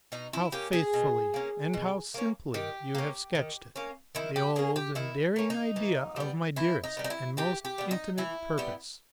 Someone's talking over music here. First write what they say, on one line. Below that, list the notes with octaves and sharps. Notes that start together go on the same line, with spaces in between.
How faithfully and how simply you have sketched it, the old and daring idea of my dearest and most intimate purpose!
B2 D#4
E4
A#3 C#4 G4
G#4
B2
A#3 C#4
B2
A#3 C#4
D#3 G4
A#3 C#4
D#3
A#3 C#4
D#3 E4
G4
A#3 C#4 G#4
G4
D#3 E4
A#3 C#4
D#4
E3
G3 B3
E3 E4
D#4
G3 B3
D#4
E4
E3 G4
G4
G3 B3
D#4
E3 E4
G3 B3